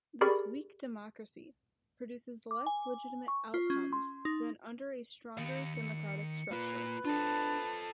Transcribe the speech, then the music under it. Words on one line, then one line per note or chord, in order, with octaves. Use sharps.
This weak democracy produces less legitimate outcomes than under a stronger democratic structure.
G4 G#4 A#4 D5 B5 C#6
D6
G#5
C#6
F4
C#4
C6
D#4
D#3 F5 C#7
A#3 F4 B4
D4 F4 A4 A5